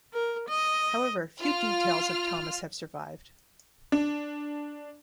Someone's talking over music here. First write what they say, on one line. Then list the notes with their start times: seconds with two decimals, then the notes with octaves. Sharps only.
However, few details of Thomas have survived.
0.13 A#4
0.49 D#5
1.41 F4 F6
3.92 D4